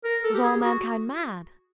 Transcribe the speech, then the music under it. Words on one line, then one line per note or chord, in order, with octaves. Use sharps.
Was all mankind mad!
A#4
A4
G4
G#4
F#4